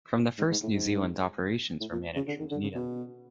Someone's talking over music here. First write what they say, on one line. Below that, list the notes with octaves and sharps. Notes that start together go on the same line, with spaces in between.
From the first New Zealand operations were managed from Dunedin.
G#2
G#2
A2
G#2
A2
A#2
C#3
D3
D#3
D3
C#3
B2